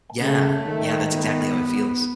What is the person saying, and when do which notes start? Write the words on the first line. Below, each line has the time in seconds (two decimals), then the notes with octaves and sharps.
Yeah. Yeah, that's exactly how it feels.
0.20 C#3 A3
0.67 D#3
1.13 B3